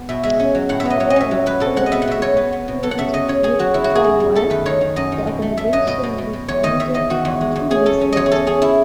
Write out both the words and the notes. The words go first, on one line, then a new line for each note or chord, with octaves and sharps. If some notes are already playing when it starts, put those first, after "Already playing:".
However, following a dispute with Falwell, the organization disbanded two years later.
Already playing: B3
B2 E5
G#3 E5
C#4
F#3
A2 F#5
E5
F#3
D#5
F#3 C#5
D#5
C#4 E5
F#3
F#3 B4
B2 A4
G#3 F#5
D#5
B3 E5
F#5
B2 E5
B2 C#5
B3
B3
B2
F#3 A4
F#5
C#3 E5
C#3 D#5
C#3 C#5
C#4 G#4
F#3 F#4
F#3 E4
F#4
E2
G#4
F#2
F#2
A3 A4
D#3 B4
D#3 C#5
D#3
F#2 D#5
D#3
B2
A3
A3 E5
F#3 D#5
B2 D#5
B2
B2
B2
E2 C#5
D#3 D#5
D#3 E5
E2 D#5
D#3 F#4
E2
G#3
E2
C#4 G#4
C#4 A4
C#4
E2 C#5 D#5
G#4
C#4 A4
C#4 G#4
E4